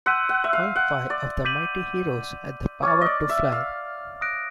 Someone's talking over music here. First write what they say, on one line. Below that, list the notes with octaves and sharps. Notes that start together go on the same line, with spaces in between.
All five of the Mighty Heroes had the power to fly.
F#5 C6 E6 G6 B6 D#7
F#5
E5
F5
F#5
D5
D6 G6 B6 D#7 F#7
C#5 D6 F6 A6
D5 D#5
E5
F5
D#6 F#6 A#6 D7